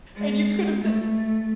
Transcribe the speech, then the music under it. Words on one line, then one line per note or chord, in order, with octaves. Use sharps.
And you could have d
G#3
A3